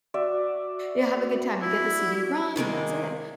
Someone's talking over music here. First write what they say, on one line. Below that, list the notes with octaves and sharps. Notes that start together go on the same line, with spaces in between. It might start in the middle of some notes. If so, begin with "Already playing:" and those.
Yeah, have a good time, you get the CD-ROM and that's it.
F#4 D5 E5
E4
C3 D#3 G#3 A#3